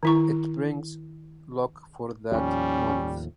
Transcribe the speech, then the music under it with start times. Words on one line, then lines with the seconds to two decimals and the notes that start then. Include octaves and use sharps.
It brings luck for that month.
0.03 D#3 E4 C#6
2.32 D#2 A2 F3 G3 C#4